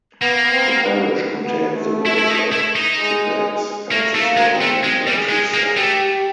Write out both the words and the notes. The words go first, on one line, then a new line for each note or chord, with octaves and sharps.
The parish contains the village of Kippax and the surrounding countryside.
A#3 B3
C4
B3
B3
A3
E4
E4
D#4
E4
D#4
G#3
A3 A#3
A3
A#3
G#3
C4
A3
G#3
G3
G#4
G#3
G#4
A#3
A3 G4